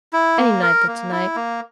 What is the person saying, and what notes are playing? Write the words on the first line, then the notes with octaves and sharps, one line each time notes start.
Any night but to-night.
E4
A#3
A#4
A#3
E4
A#3